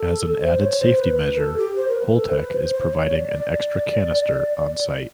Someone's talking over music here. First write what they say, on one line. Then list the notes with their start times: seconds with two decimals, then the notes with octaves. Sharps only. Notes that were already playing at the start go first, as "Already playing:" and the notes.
As an added safety measure, Holtec is providing an extra canister on site.
Already playing: A4
0.40 C5
0.60 C#5
0.79 C5
0.98 B4
1.18 B4
1.37 A4
1.57 G4
1.76 C5
1.88 A#4
1.96 B4
2.15 A4
2.28 C5
2.34 B4
2.54 C5
2.73 C5
2.93 C#5
3.12 D5
3.32 D5